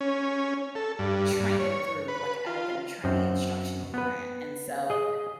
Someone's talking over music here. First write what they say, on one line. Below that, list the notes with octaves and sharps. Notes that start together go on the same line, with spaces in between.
training through like, I work in a training instructional grant, and so,
C#4
A4
G2
G2
C#5
B4
F4
F#2 C4
B3 B4
G#4 D#5